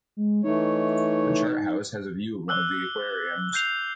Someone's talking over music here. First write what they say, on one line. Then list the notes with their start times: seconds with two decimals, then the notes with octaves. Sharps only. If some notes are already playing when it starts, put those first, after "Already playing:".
The Chart House has a view of one of the aquariums.
0.17 G#3
0.44 E3 A3 D#4 C#5
2.48 D6 E6 F#6 G7
3.53 F#6 G6 C7 F7